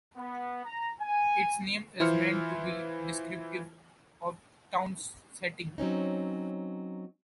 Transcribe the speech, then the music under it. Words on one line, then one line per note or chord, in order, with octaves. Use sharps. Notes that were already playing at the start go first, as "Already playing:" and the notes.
Its name is meant to be descriptive of the town's setting.
B3
A#5
G#5
E3 E4 F4 C5 F6 C#7
F#3 C4 C#4 D#4